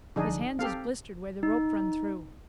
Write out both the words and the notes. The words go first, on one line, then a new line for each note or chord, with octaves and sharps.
His hands is blistered where the rope run through.
C2 D3 F3 D4 D#4 G#4
C4 G4 A4 F5
D#4